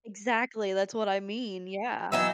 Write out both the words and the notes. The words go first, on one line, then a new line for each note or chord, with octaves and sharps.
Exactly, that's what I mean, yeah.
E3 F#3 D#4 E6